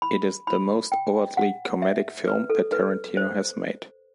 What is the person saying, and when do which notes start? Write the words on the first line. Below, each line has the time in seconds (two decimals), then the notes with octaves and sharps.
It is the most overtly comedic film that Tarantino has made.
0.02 B5
0.47 B5
0.92 G5
1.37 F#5
1.82 E5
2.27 B4
2.50 A4
2.72 B4
3.17 C5